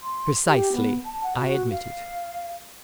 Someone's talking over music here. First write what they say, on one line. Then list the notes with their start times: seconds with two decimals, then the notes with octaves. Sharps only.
"Precisely," I admitted.
0.01 C6
0.46 G4
0.72 B3
1.05 A5
1.24 F#5
1.37 F#4
1.71 F5